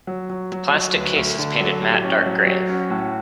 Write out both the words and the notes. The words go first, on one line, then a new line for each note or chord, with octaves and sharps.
The plastic case is painted matte dark grey.
F#3
F#3
F#3
F#3
D2 B4
D2
A4
D3
A4
F#3
A2 G4
C#4
F#3
F#3
C#4 F#4
A2